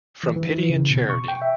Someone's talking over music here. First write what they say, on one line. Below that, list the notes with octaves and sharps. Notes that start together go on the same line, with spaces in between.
From pity and charity!
E3
E3
E3
C#3
B2
C#6
G5
E5